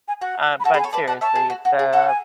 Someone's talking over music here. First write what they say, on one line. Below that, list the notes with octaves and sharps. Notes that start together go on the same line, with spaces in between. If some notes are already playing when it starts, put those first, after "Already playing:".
uh, but seriously, it's, uh,
G#5
F#4 F#5
B5
F#4 A4 A5
G#4 B4
G#5
A4 C#5
B4 D5 A5
D5 F#5 A5
C#5 E5 A5
G#4
F#4
F#4
G#4
F#4 A4 F#5
G#5